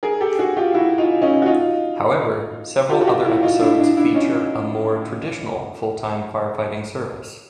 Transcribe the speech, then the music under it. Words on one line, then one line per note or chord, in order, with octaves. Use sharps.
However several other episodes feature a more traditional full-time firefighting service.
G#4 A#4
G4 A4
F#4 G#4
F4 G4
E4 F#4
D#4 F4
C#4 D#4
F#4
D#4 F4
F4 G4
F#4
F4 G4
E4 F#4
D#4 F4
D4 E4
D4 E4
D4 E4
C#4 D#4